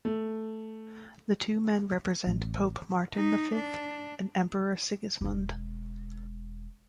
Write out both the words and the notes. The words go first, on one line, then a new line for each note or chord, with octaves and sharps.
The two men represent Pope Martin the Fifth and Emperor Sigismund.
A3
A1
D#4
D4
E1 G#3